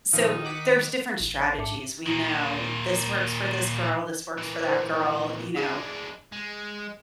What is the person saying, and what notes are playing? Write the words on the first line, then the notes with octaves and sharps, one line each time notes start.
so th there's different strategies. We know this works for this girl. This works for that girl, you know,
A#2 D#3 F3 D#4 F6
F#5 D6 B6
A1
G#2 E5 A5 D6 C#7
A#2 D#3
A#2 E3
C5
G#3 D4 G#4
G#3